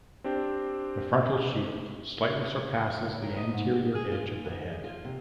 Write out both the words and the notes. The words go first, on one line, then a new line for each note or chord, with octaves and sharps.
The frontal shield slightly surpasses the anterior edge of the head.
C4 D4 G4 C5
C#3
A#4
D#5
G#2
G4
G#4
F4
D#2
D2
G#4
F4
C3